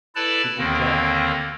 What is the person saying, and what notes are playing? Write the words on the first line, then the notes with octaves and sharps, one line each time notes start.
Did you check?
E4 A4 B4 D5 A5
D#2 D3 D#3 A#3 C4